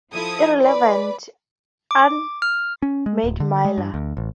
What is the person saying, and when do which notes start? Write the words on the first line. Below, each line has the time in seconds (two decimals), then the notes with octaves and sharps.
Irrelevant, Ahmad Miller.
0.13 F3 E4 A4 D#6 G#6
0.62 B4 D5 B5
1.91 D6
2.42 F6
2.82 C#4
3.06 G#3
3.24 D1
3.40 D3
3.65 G#3
3.78 G2
3.94 D2
4.17 A1